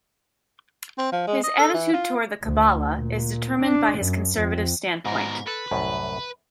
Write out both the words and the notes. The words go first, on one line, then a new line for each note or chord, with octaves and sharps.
His attitude toward the Kabbalah is determined by his conservative standpoint.
C4
F3
G#3
D#5
A4
E3
F4
D2
A#2
D4
F#2
F2
G#2 B2 A#4
A4 B4
C2 F#2 A2